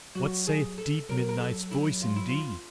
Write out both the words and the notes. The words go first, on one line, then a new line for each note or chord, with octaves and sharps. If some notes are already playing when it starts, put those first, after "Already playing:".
What saith deep midnight's voice indeed?
F#3 F#4
G#4
A4
F#3 A#4
A#4
A4
E4
F4
E4
F4